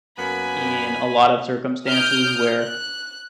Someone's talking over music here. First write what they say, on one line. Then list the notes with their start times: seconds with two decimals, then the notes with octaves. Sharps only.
in a lot of circumstances where,
0.18 F#2 A#3 B3 G#5 B5
1.86 D#6 F6 G6 D7
2.59 F#6